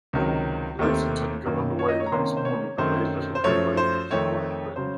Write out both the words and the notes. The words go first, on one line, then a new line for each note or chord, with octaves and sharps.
"Lexington" got underway the next morning but made little headway because of light wind.
C#2 C3 D#3 F#3
D#2 D#3 A3 C4
F#2 D#3 A#3
C#5
D#5
C#5
A#5
C3 D#3 A#3 C#4 C6
C5
C#5
F#2 D#3 A3 C4 C5
C5
F#2 F3 A3 C#4 C#5
C5
F2 D#3 A3 C4 C#5
C#3 F#3 C5